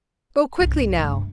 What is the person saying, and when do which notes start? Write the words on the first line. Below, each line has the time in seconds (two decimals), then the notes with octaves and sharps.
Go quickly now!
0.60 C2 G2
0.97 G2 A3